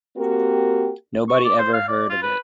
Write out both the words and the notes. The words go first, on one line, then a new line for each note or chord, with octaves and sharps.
Nobody ever heard of it.
A#3 C4 F#4 G4 A#4
C#6
D6
C5
F5
D5
F4
B4